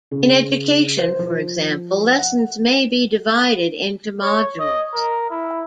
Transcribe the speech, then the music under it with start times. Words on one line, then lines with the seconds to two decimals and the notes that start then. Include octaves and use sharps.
In education, for example, lessons may be divided into modules.
0.11 C#3
0.98 C5
1.19 F3
2.18 F#5
4.23 C#5
4.59 D#5
4.94 A#4
5.30 E4